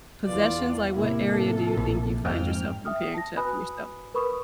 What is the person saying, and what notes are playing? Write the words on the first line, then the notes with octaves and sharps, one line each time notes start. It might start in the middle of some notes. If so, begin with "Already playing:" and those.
possessions? Like, what area do you think you find yourself comparing to yourself?
E2 E3 F4 D5
A2 C3 A#3 E4
A4
A#1
F2 G#2 G5 F6
E5 G5 D#6 F6
A5 A#6
F#4 B4 G#5 B5 D#6 F#6
A#4 B4 B5 C#6 D#6